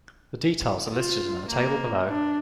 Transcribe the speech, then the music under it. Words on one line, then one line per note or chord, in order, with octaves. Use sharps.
The details are listed in the table below.
F4
A#3
D4